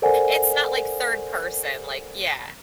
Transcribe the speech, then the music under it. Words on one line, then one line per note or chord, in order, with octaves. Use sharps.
It's not like third person, like, yeah,
A4 A#4 C5 D5 F#5 G#5